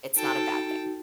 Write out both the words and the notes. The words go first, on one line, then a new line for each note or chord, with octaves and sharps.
It's not a bad thing.
D#4 F#4 A4 G5 A5